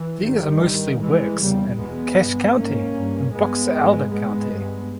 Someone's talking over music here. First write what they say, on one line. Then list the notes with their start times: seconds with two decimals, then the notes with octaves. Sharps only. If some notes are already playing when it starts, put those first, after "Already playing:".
These are mostly of works in Cache County and Box Elder County.
Already playing: E3
0.23 G2 D#3 G3
0.62 G2
1.00 G2 E3 G#3
1.39 E2 C#3 G3 A#3
1.78 E2 B2 G#3 B3
2.17 G2
2.56 G#2 A#3 C#4
2.94 G2
3.33 G2 G#3 B3
3.72 G#2
4.10 G#2 G#3 B3
4.49 G2